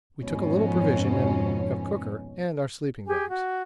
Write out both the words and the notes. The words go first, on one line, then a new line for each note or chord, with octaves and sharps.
We took a little provision and a cooker and our sleeping-bags.
F2 G#2 B2 C#4
G4 G#4 G#5
F#4